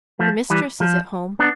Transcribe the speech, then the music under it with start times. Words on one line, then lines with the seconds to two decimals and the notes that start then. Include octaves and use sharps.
The mistress is at home.
0.19 F3 A3
0.50 E3 G3
0.80 F3
1.39 B3 D4